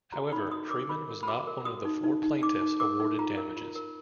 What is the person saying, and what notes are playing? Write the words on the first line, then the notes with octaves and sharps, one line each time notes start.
However, Freeman was not one of the four plaintiffs awarded damages.
F#4 A#5
D#4 B5
F#4 D#6
A#4 D6
A#4 B5
A#4
B5
F#4 D6
A#4
F#4 D#6
D#4
D#4
D#4
D#4 D6
D#4
A#4 D6
D#4
F4 A#5
A#4
F4
A#4